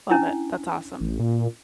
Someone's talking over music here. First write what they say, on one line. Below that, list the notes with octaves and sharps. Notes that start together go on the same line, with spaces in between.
Love it. That's awesome.
C#4 D4 E4
A1
A#2